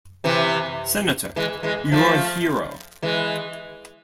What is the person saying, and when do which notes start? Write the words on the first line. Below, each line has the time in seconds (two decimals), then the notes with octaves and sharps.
Senator, you're a hero.
0.24 C3 E3
1.36 E3 G#3
1.63 E3 G#3
1.92 F3 A3
3.02 E3 G#3